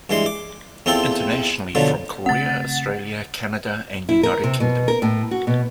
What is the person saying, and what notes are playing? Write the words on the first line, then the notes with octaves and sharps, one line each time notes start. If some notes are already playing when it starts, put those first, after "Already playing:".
Internationally from Korea, Australia, Canada and United Kingdom.
G2 E3 G#3 C6
D6
E2 C4 F4 A4 G5
B2 D3 F3 F#3
C#3 A3 C4 F#5 A6
E4
A#4
C3
B2
A#4
A2
F#4
B2